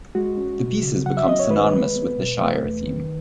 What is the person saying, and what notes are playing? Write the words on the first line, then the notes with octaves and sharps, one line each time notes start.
The piece has become synonymous with the Shire theme.
G#3 F#4
C#4
B2
C#3
F#3 F#5
E5
C#4 D#5
C#5
D#3 B4
G#3
B3
B2
A3
E2
D#3